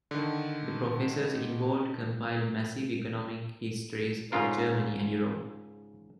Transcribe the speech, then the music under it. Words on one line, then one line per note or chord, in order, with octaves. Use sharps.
The professors involved compiled massive economic histories of Germany and Europe.
D3 D#3
G#2 C#3 F4 A#4